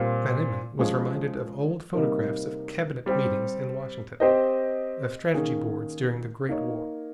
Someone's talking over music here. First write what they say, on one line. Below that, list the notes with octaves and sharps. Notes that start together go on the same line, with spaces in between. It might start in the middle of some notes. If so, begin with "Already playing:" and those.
Van Emmon was reminded of old photographs of cabinet meetings in Washington, of strategy boards during the great war.
Already playing: A#2 G3 C4 F4 A#4
F3 G#3 C#4 G#4
C3 G3 A#3 D#4 A#4
G3 C4 G4
C4 G4 C5 D#5
D#3 A#3 C#4 G#4
A#3 D#4 A#4 C#5